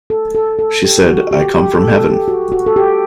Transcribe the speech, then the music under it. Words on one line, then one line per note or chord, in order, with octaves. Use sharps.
She said: "I come from Heaven".
A4
A4
A4
G4
F#4
G4
G4
A4
A4
G4
F#4
F#4
A4
G4